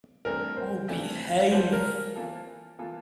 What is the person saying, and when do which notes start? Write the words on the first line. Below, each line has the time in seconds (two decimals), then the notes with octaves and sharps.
Oh, behave!.
0.25 G2 E3 A3 C4 A#4
0.57 C5
0.88 G2 E3 A3 C4
1.51 E3 A#3 F4 A4 C5
1.73 A#4
2.16 E3 A#3 F4 A4
2.79 E3 A#3 F4 A4